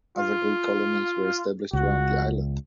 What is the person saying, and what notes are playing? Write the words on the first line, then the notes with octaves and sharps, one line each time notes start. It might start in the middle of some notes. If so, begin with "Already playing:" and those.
Other Greek colonies were established around the island.
F4
C#2 F#4